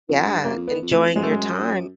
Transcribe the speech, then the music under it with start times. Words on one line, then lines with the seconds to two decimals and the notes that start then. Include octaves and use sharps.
Yeah, enjoying your time
0.09 F2
0.26 G2
0.44 F#2 A#3
0.57 F2
0.68 E2 B3
0.82 F2
0.92 A3
1.16 F#2 G#3
1.23 A3
1.31 G#3